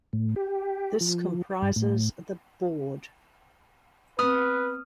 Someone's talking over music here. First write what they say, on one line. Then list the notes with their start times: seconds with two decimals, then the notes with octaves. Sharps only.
This comprises the "board".
0.13 A2
0.36 G4
1.01 F3
1.62 G2
1.76 A2
4.19 B3 C4 B4 D#6 F6